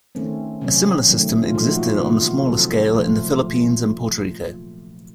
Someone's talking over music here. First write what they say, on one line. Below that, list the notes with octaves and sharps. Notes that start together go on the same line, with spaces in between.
A similar system existed on a smaller scale in the Philippines and Puerto Rico.
D#3 A3 C4 C#4
C3 F#3 C4 C#4
D#3 F#3 A3
F4
A#2 F3 A3 D#4
F#4
F4
C3 D#3 A#3 F4
F#4
C3 F#3 C4 A4
A#2 F3 A3 F4